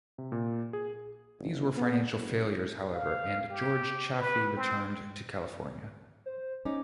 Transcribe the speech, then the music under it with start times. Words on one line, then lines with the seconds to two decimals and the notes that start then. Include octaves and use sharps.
These were financial failures, however, and George Chaffey returned to California.
0.18 C3
0.32 A#2
0.73 G#4
1.39 G1
1.77 B3
2.15 F#1
2.95 F5
3.50 G4
4.19 B4
4.57 C4
6.26 C5
6.65 C#4 D#4 D6